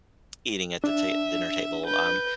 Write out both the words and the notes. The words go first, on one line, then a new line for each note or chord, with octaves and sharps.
eating at the ta dinner table. Um,
D4 E5
B4 G6